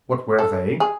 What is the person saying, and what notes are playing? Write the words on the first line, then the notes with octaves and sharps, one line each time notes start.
"What were they?"
A4
G#4